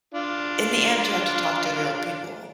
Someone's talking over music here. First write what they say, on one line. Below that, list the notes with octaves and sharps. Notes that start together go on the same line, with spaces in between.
in the end, you have to talk to real people.
D4 F4